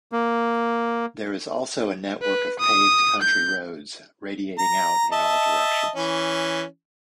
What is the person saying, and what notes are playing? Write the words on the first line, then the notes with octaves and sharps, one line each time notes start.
There is also a network of paved country roads radiating out in all directions.
A#3
B4
D#6
G6
A#5
D#5 E5 A5
E3 C#4